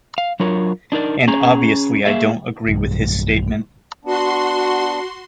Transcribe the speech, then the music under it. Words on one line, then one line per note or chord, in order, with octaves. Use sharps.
And obviously I don't agree with his statement.
F5
F#3 D4 F4 A#4 C#5
D4 D#4 A#4 D5
C#4 G#4 A#5
A#3 G#4 E5 F5
B1 G2
B3 D4 F#4 C6